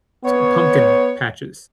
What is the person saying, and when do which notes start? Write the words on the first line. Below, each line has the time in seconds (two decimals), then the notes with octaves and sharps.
s pumpkin patches.
0.25 B3 C#5